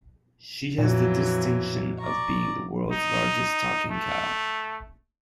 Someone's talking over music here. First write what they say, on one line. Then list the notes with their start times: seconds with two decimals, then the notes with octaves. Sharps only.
She has the distinction of being the World's Largest Talking Cow.
0.78 F2 A#2 E3 F#3
1.99 D5 A#5 C#6
2.92 D#4
3.91 A3